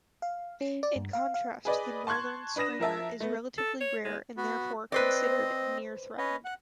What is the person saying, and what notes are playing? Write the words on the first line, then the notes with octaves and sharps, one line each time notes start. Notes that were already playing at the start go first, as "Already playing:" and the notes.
In contrast, the northern screamer is relatively rare and therefore considered near threatened.
F5
C#4
D5
G2
F5
F5
G#4 B4 D5 D#5
A5 C6 C#6 F#6 G#6
D4 B4 D#6 A#6 E7
F3 A#4 E5 A5
A3 B3
A4
C#5
G#3
B3 F#4
C4 B4 C5 D5 D#5
C#4 B4 D#5
F#5